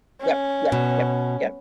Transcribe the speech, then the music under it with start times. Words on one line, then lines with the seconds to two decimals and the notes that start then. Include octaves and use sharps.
Yep, yep, yep, yep.
0.22 C#4
0.72 B2